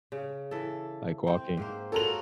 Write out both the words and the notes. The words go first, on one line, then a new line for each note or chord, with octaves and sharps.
like walking.
C#3
E3 A4
C4
G#2 A#3 C5
F4 F#4 A4 A#4 C#5 F7